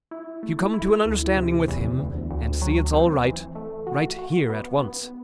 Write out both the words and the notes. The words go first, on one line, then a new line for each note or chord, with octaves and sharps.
If you come to an understanding with him, and see it's all right, write here at once.
E4
A3
E4
D2
C3
E2
D2
D2
F#3
C4
E3
A3
F#4
F#4
B3
B3